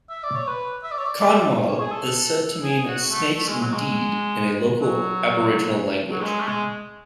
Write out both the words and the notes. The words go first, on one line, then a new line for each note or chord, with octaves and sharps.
"Kanwal" is said to mean "snakes indeed" in a local Aboriginal language.
E5
D5
C#5
B4
E5
D5
C#5
D5
D5
C#5
G#4
A4
G#4
F#4
A3
A3
G#3
F#3
G#3
F#3
F#3
G#3
A3
G#3